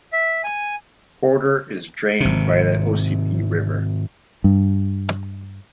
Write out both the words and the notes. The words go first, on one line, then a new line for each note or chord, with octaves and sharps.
Porter is drained by the Ossipee River.
E5
G#5
G#1 C3
G2